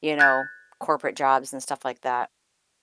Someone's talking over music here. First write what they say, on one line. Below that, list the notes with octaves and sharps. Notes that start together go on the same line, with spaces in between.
you know, corporate jobs and stuff like that.
F#6 G#6 A6